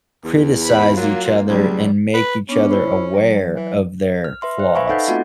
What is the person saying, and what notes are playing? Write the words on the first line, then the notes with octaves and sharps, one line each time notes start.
criticize each other and make each other aware of their flaws.
E2
C5 B5
F#3 A#3 F4
C#2 A2 F#3 G3
B4
B3 C#4 D4
E4 C5 B5
F#3
E3
F6
B4 E5 C6 F6
C5
B4 E5 F5 G#5 B5 C#6
D#4 A4 D#5 F#5 G6
A3 B3 C4 D#4 F4 F#4